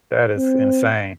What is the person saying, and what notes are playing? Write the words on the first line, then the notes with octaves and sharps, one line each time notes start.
That is insane.
C4